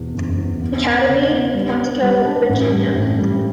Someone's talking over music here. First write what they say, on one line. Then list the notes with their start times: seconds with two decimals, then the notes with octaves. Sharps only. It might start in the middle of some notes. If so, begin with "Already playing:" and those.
Academy, Quantico, Virginia.
Already playing: E2 B2
0.14 F#1
0.38 E2
0.61 B3
0.85 B3
1.08 C#3
1.31 B3
1.55 G3
1.78 D4
2.02 G3
2.25 D4
2.49 A1
2.72 G3
2.95 A1
3.19 G3